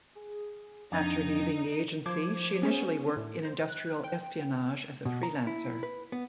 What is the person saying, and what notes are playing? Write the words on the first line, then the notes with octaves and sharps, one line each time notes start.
After leaving the agency, she initially worked in industrial espionage as a freelancer.
G#4
F2 D4 D#4
F3 C5 D6 G#6
B3 C#4 G#4 C5
A2
C5
F#6
G5
B2
A#5
E4
B4
B3